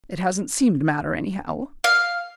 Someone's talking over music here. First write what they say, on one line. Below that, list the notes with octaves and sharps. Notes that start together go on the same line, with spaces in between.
"It hasn't seemed to matter, anyhow."
F5